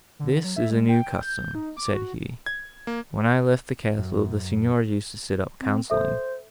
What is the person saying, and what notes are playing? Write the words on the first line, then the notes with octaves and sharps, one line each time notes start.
'This is a new custom,' said he; 'when I left the castle, the Signors used to sit up counselling.'
D3
F#3
E5
G#3
G5
G6
D#4
D6
F#4
G#6
A#3
F#2
C4
A4 C5 E5